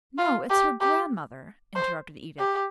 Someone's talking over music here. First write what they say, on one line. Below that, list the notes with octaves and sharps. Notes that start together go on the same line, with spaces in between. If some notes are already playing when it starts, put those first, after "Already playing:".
"No, it's her grandmother," interrupted Edith.
F4
G4
G4
C5
G4